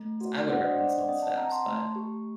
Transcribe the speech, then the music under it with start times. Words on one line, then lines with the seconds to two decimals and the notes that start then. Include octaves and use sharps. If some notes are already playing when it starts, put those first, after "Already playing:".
'Cause I would recommend small steps, but
Already playing: A3
0.21 F#4
0.49 D4 D5 F#5
0.64 C5 D#5
0.79 D4 D5 F#5
0.93 D5 F#5
1.08 C4 D#5 G5
1.22 F#5 A5
1.37 C4 G5 A#5
1.52 A5 C6
1.66 A3
1.96 G4